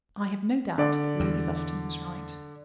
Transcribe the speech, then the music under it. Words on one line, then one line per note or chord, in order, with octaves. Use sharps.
I have no doubt that Lady Lufton was right.
D3 D5
E2